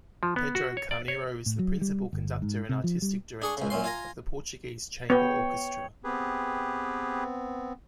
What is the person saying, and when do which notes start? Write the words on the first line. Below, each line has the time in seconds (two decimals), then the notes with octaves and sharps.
Pedro Carneiro is the principal conductor and artistic director of the Portuguese Chamber Orchestra.
0.23 F3
0.36 B3
0.55 F#4
0.77 C#5
0.91 D5
1.08 C#5
1.46 A2
1.59 F#3
1.81 G3
2.13 G1
2.42 G#2
2.69 C3
2.84 F3
3.02 G3
3.42 D4 G#4 C#6
3.57 C#2 C#3
3.70 F#2 A#2 C#4 C6
3.84 F4 G#5 A#5
5.10 B3 C#5 G5
6.04 B3 C4 G4 G#4 B4